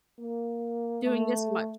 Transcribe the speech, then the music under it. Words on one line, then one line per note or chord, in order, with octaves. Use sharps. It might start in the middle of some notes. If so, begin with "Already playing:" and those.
doing this much.
A#3
A3